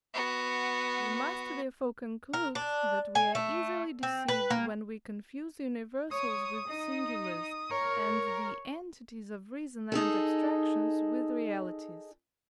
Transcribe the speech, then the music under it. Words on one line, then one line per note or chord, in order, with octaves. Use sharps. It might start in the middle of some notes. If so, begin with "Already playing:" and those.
We must therefore conclude, that we are easily deceived, when we confuse universals with singulars, and the entities of reason and abstractions with realities.
B3 F#4
A#4
D4
G#5
A3
C4
B4
A#3
C#5 D#6
D#4
A#4 C#5
D#4 G#4 A4